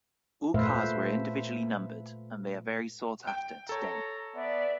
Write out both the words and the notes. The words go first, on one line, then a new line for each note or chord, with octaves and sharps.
All cars were individually numbered and they are very sought-after today.
A#2 A3 B4 C5 E5 F5
G5
A4 C#5 A#5
B3 D5 E5